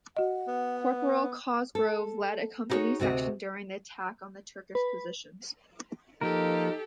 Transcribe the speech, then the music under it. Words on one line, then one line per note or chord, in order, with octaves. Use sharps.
Corporal Cosgrove led a company section during the attack on the Turkish positions.
F#4 D#5 F#5
B3
A4
D#4 E4 F#4 G#4 C#5
D2 C3 F#4 D#5
B4
F3 A#3 D#4 G4 A4 A#4